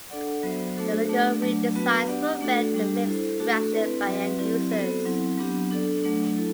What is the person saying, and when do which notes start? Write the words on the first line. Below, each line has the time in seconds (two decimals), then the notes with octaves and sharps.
The logo redesigns were met with mixed reactions by end users.
0.10 D4 A4 D5 F#5
0.43 F#3 B3 F#4 C5 E5
0.76 A3 D4 F#4 A4 C5
1.09 A3 D4 G4 D5
1.42 F#3 A3 D4
1.75 B3 F#4 B4
2.08 D4 G4 D5 F#5
2.41 A3 D4 F#4 A4
2.74 G3 D4 G4
3.07 E4 A4 C5
3.40 A3 D4 F#4 A4
3.73 C4 E4 B4 D5
4.06 F#3 C4 F#4 B4 E5
4.39 F#3 C4 E4 G4 D5
4.72 B3 F#4 A4 C5
5.05 F#3 C4 E4
5.38 F#3 B3 D4 G4
5.71 D4 A4 D5
6.04 F#3 A3 D4
6.37 E4 A4